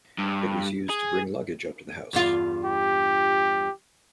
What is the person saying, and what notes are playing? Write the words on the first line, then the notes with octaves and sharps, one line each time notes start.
It was used to bring luggage up to the house.
G2
G#4
E2 G2 F4
G4